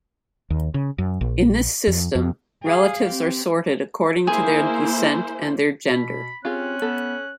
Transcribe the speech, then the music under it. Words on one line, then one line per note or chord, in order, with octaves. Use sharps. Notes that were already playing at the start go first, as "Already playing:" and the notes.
In this system, relatives are sorted according to their descent and their gender.
D#2
C#3
F#2
A#1
F2
F2
G#4 F5
C4 G4
A#3 E4 G#4 C5
B2 B5
C4 C#4 F4 G4 G#4 F#6
B3 A4